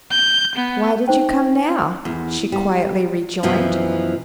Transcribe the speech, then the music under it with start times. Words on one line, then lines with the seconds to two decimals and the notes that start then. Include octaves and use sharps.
"Why did you come now?" she quietly rejoined.
0.11 G6
0.55 B3
1.08 D#4 C5 G5
2.05 E2
2.52 G3
3.43 F#2 B2 E3 F3